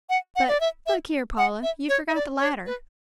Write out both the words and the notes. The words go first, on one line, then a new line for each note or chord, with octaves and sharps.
But, look here, Paula, you forgot the ladder.
F#5
F#5
D5
E5
E5
F#5
E5
C#5
E5
D5
C#5
B4